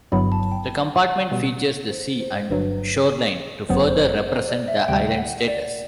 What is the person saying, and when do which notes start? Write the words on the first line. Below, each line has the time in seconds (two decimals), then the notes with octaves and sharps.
The compartment features the sea and shoreline to further represent the island status.
0.12 G1 G2 F#3 B3 E4 B5
0.32 A5
0.51 G5
1.31 B2 G3 B3
1.90 C5
2.20 C5
2.50 G1 G2 F#3 B4
3.69 G1 F#2 F#3 B3 C5
3.89 C5
4.28 C5
4.48 D5
4.68 E5
4.88 D2 C3 G3 G5
5.18 F#5
5.48 D5